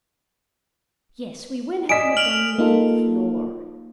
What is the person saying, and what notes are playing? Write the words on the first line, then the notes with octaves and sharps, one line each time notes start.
Yes, we will have Madame Mirliflore.
D5 D#5 G#5 D#6 B6 D7 E7
F6 D7 F7 F#7
A#3 D#4 F4 A4